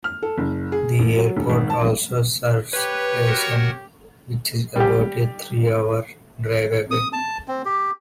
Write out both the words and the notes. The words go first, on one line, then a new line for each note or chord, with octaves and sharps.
The airport also serves Rason, which is about a three-hour drive away.
F6
A4
F#1
G#4
A1
F#3
E1
G#1
A5
G4 B4 C#5
F#4 A#4 F#5
G3 G4
D#6
A5
C4
G4